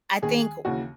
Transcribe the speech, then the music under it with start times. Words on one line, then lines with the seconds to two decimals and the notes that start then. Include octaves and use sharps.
I think
0.22 D#2 D#3 G#4
0.65 D#2 C#3 E3 F#4